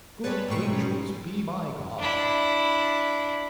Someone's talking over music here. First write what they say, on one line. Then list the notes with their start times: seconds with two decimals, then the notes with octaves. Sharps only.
Good angels be my guard!
0.24 G3 G#3 B4 C#5 A5
0.48 G#2 B2 A3 G5 C#6
0.73 G3 C#4
1.98 D4 E4